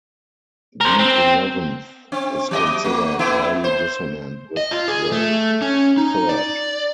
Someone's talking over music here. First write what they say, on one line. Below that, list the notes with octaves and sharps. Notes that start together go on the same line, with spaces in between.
The eleventh is considered highly dissonant with the third.
A#4 C5
C4
C4
F#3 D5 D#5
A3
A3 B3 E4
C5
D#5
F4
G#4
A3
C#4
D#4
D5